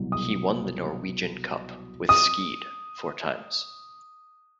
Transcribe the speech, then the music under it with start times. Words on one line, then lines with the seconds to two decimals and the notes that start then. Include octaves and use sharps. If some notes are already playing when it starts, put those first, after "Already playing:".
He won the Norwegian cup with Skeid four times.
Already playing: C2 B2 F#3
0.12 D#6
2.09 D#6